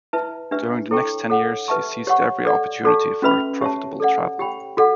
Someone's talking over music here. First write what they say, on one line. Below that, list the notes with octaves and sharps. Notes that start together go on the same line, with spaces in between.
During the next ten years he seized every opportunity for profitable travel.
E4 B4 E5 A5
D4 G4 B4 E5
E4 A4 C#5 G5 C#6
A4 C#5 F#5
G4 B4 E5 A5 C#6
G4 C#5 F#5 C#6
A4 D5 F#5
F#4 A4 D5 A5 C#6
C#4 F#4 B4 E5 B5
G4 C#5 E5 A5
A4 D5 F#5
G4 C#5 G5 B5
F#4 A4 D5 F#5